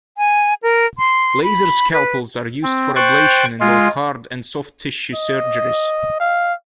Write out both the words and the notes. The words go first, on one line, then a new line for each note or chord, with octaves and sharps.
Laser scalpels are used for ablation in both hard- and soft-tissue surgeries.
G#5
A#4
C6
B5
B4
C4
C5 G5 C#6 F#6 A6
G#3 F4
D#5
F5